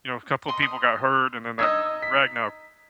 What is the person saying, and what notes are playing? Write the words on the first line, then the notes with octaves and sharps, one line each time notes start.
you know, a couple of people got hurt, and then that Ragnar,
D#5 C6
D#6
D#4 D#5 D#6 E6 G#6
B6